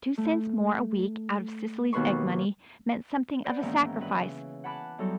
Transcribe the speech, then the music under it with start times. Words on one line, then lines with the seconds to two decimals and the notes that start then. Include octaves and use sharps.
Two cents more a week out of Cecily's egg money, meant something of a sacrifice.
0.17 A3
1.93 D#2 B2 B4 C6 C#6
3.44 B4 C5 D5 F#5 B5
3.61 G#2 D#3 E3 A#3 B3 C#4
4.00 G2 E3 B4
4.17 C#3
4.64 F#5 G#5 A5 B5 D6 F#6
4.98 E2 F#3 G3 D#4 A4